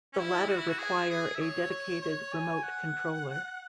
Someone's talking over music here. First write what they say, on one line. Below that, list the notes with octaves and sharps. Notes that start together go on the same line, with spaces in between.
The latter require a dedicated remote controller.
C#4
E4
F#4
E4
F#4
G#4
G#4
E5
C#5
C#5
C#5
G#5
F#5